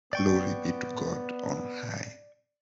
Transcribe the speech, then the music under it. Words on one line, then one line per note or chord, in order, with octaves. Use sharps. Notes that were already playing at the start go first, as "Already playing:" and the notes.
Glory be to God on high.
B3 D5 G5 C#6